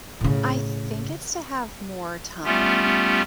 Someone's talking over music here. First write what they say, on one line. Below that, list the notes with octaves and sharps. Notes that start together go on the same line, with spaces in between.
I think it's to have more time.
A2 C#3
G3 A3 B3 C#4 F4 G4